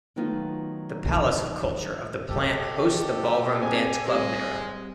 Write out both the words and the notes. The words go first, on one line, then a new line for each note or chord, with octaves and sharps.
The Palace of Culture of the plant hosts the ballroom Dance Club Mara.
D#3 F#3 A3 B3 D#4 F4
B2 G4 A4
C4 G#4 G#5 A5
G3 G#3 C4 D#5